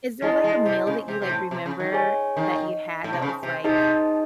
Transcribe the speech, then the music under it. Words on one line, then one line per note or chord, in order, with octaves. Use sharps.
Is there like a meal that you like remember that you had that was like
G#3 E4 G#4 D#5 A5
G#3
C3
C#3
C3
C3
A2
C3
C#3
D#3
G#4 C#5 G#5
D#3
A2
C3
C#3
C3
C3 D#4 G#4 D#5 A5